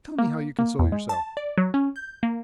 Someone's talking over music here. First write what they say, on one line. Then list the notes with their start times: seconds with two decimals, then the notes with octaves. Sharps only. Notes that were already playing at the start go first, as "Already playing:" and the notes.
"Tell me how you console yourself."
0.19 A#3
0.59 A#3
0.79 E2
0.92 G#3
1.09 A5
1.37 D5
1.58 F#3
1.74 C#4
1.96 G6
2.23 A#3